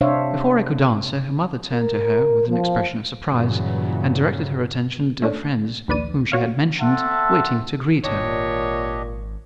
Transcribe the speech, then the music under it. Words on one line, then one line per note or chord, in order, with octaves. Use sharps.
Before I could answer, her mother turned to her with an expression of surprise, and directed her attention to the friends whom she had mentioned, waiting to greet her.
C3 D4 C5 C#5 E5 F5
A#4
F3
G2 A#2 C#3 E3 F#3
A3 C#4 D4
A#1 D#2 B4 D5 D#7
F#4 C#5 F5
C4 A4 E5 F#5 A5
G#1 A#2 D4 G4 C#5 D#5